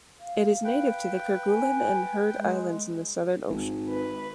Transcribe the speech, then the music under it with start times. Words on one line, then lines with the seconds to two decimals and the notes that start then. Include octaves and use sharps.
It is native to the Kerguelen and Heard Islands in the Southern Ocean.
0.20 F5
0.64 B4 G5
1.47 G#5
2.37 G#3
3.50 G#1
3.89 B4